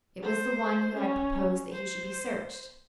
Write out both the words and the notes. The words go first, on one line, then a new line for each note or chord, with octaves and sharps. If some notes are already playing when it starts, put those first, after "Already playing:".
It was the one who had proposed that he should be searched.
C5
C#4
C5